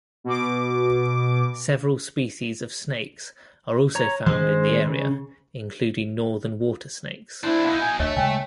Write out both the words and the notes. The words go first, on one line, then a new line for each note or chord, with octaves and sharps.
Several species of snakes are also found in the area, including Northern Water Snakes.
B2 D6
C#5 A#5
D#3 G#3 C#4 C5
C#3
D4 E4 C5
B2 D#4 F5
G#5
D2 A3 C#5 D#5 E5
C#3 G#3 C#5 G5 G#5